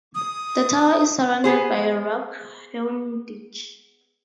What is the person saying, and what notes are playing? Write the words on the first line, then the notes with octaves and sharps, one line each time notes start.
The tower is surrounded by a rock-hewn ditch.
D#6
B3 G#4 C5